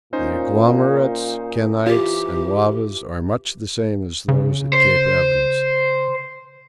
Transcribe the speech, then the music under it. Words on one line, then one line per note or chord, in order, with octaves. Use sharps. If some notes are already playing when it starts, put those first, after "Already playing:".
The agglomerates, kenytes, and lavas are much the same as those at Cape Evans.
A#2 C#4 D#4 C5
E3 F4 G4
C#3
C5